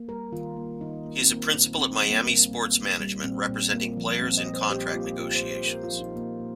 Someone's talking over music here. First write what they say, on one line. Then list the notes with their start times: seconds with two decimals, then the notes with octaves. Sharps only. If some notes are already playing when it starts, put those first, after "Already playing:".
He is a principal at Miami Sports Management representing players in contract negotiations.
Already playing: A#3
0.08 G3 A#4
0.32 D#3 F4
0.57 A#3
0.81 D#3 D#4
1.05 A#3
1.21 C4
1.30 A#2 A#3
1.54 A#2
1.78 A#3 C4
2.02 G3
2.11 A#3
2.27 A#2
2.51 A#2
2.76 A#3
3.00 G3
3.24 A#2 C4
3.49 A#2
3.73 A#3
3.97 F3
4.21 A#2 C4
4.37 D#5
4.46 A#3
4.54 C5
4.70 A#2 G4
4.94 A#3 F4
5.19 A#2 F4
5.35 C5
5.43 A#2
5.51 C5
5.67 A#3 A#4
5.84 F4
5.92 F3
6.00 D#4
6.16 A#2 A#3
6.40 A#2